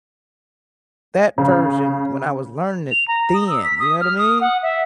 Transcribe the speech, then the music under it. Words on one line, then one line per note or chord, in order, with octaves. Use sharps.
that version when I was learning it then, you know what I mean,
C#3
F7
A#5
D#6
E6
B6
D#6
F6
D#6
F#5
E5